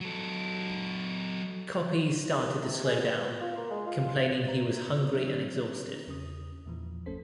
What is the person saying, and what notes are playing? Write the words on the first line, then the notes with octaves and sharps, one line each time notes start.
Coppi started to slow down, complaining he was hungry and exhausted.
F#3 A4
C2
C3
G#4
B3
B3
F4
A#3
G#3
F4
B4 D5 A#5
F#3 C4 D4 E4 G4
E2 C#3 C#4 D#6
E2 A#2 E3 F3
G1 A3 C#4 A4 C5 B6